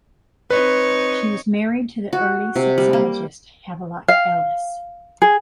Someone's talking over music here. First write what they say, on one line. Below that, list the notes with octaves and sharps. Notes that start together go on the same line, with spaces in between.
She was married to the early sexologist Havelock Ellis.
C4 D#4 B4 C#5
F#4
C3
G3
A#3
F5
G#4